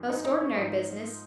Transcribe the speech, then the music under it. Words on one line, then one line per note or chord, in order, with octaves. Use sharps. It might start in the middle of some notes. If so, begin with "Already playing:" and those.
Most ordinary business.
Already playing: F#2 D#3
D#4
D#4
C#4
G#2 F3 D#4